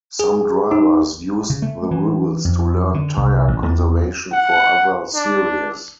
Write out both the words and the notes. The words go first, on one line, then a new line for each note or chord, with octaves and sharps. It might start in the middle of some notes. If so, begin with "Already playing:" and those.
Some drivers used the rules to learn tire conservation for other series.
G#4
D#4
C#3
A3
E3
F2
D3
C2
A1
E2
F#5
D4